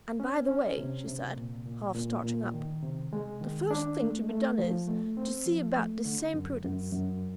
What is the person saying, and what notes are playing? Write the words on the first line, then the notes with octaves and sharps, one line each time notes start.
And by the way," she said, half starting up, "the first thing to be done is, to see about this same Prudence.
C#4
C#4
C3
C3
A#2
A#2
A#2
A#2
D#3
C3
G#3
D#3
D4
A3
A3
F3
A3
C4
F3
A3
D3
F#2
F#2
F#2